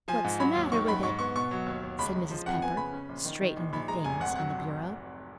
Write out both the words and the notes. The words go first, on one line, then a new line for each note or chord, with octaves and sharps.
"What's the matter with it?" said Mrs. Pepper straightening the things on the bureau.
F3 G#5
G#2
F#3 B5
D#2
D#3 C#6
F#2 B5
G#2 C#6
B3 C#6
B2 C#6
F#3
D#2
D#2
C#2 B5
G#3
F3
F2 F#5
B3 G#5
C#3 B5
C#4
A#1
D#3
D#3
A#1
A#1 B5
G#3 A#5
F1 G#5
G#1 F#5
F#3 F#5